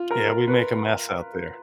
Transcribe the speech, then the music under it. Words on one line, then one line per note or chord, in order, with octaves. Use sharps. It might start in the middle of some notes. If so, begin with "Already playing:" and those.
Yeah, we make a mess out there.
Already playing: F4
A#4
B4